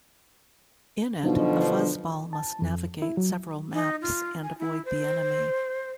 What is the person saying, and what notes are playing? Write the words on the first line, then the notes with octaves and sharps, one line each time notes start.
In it, a fuzzball must navigate several maps and avoid the enemy.
B2 D3 F3 F#3 D4 D#4
A5
F2
E4
F#3
D#4
F4
G#5
E4
C5